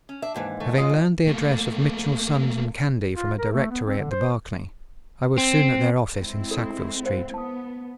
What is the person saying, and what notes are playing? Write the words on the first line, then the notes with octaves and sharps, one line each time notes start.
Having learned the address of Mitchell, Sons, & Candy from a directory at the Berkeley, I was soon at their office in Sackville Street.
C#4
D4 E5
D#2 G#2 E3
A3
G#3 F4 D#5
F2
A3 A#3
F4
A#4
A3
B3
C4
D3
C5
C4
G#3 C4 E4
A4
C5 F5
B3 A5 D#6